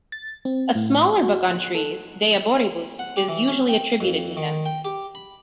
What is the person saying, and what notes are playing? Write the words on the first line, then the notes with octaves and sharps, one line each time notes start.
A smaller book on trees, "De arboribus", is usually attributed to him.
A6
C4
A2
F#4
F#6
A4
F#5
G4
E3
C#4
G5
F2
D#3
G5
G4
B5